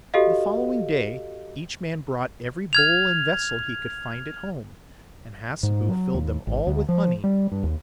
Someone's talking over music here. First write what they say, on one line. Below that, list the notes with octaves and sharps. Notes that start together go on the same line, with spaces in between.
The following day each man brought every bowl and vessel he could find at home, and Hassebu filled them all with honey.
F#4 G4 A4 D#5 F5
F6 G#6 F7
G#2
F#3
D#2
G#1
D2
F3
G3
G2
D#2